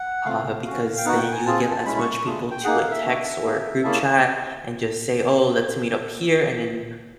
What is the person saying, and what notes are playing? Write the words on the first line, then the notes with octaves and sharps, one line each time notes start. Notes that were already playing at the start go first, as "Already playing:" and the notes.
uh, because then you get as much people to a text or group chat and just say, "Oh, let's meet up here," and then
Already playing: F#5
A3 C4 F4 F5
C#4 F#4
G5
B3 D#4 F#4 F#5
G5
G#5
C4 F4 G#4 A5
G#5
A5
G#3 C#4 E4 B5
C#6
C#6
A3 D4 F4 G#4
G5
A#3 D#4 G#4 F#5
F5
E5
A#3 D4 F#4
A#3 D#4 G#4
A#3 C#4 E4 G#4 A5